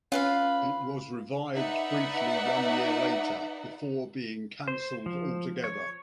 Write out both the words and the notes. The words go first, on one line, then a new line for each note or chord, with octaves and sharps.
It was revived briefly one year later, before being cancelled altogether.
C#4 F4 B4 F5
D#4 B4 D5 E5 F#5
C5
F3
C#5